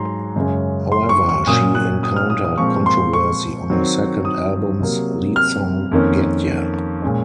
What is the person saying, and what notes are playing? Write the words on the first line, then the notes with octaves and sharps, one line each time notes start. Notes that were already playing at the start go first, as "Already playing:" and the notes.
However, she encountered controversy on her second album's lead song Get Ya!
Already playing: G#2 F#3 A#5 C6
F#2 C#3 G#3 C#4
C6
C#6
C#6
A#2 F#3 C#4 D#6
F#6
D#6
F6
D#6
D#6
A#2 F3 G#3 C4 C#6
C6
C#6
D#3 F#3 C4
D#6
C3 F#3 A#3
F6
F2 D#3 A#3 C#4
A#2 G#3 C#4